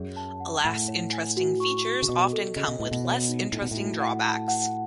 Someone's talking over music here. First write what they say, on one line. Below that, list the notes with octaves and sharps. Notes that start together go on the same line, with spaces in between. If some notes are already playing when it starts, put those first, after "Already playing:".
Alas, interesting features often come with less interesting drawbacks.
Already playing: F#2 G#4
A5
F#5
A2 F#5
C#5
G#5
F#4
C#6
F#4
C#3
B2 D#5
A4
C#3 D#5
B2
A2 D#5
B2
C#5
D#4
A2 D#4
B2
A2
F#4
F#5
A5
F#5